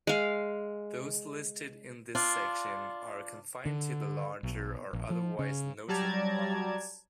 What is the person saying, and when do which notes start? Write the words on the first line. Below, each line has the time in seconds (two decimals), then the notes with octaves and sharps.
Those listed in this section are confined to the larger or otherwise notable lochs.
0.07 G#3 F5
2.15 D4 F4
3.66 D3
4.43 B1
4.93 A#1
5.10 F3
5.39 C#3
5.88 F#3 G3 D5 A5 A#5 G#6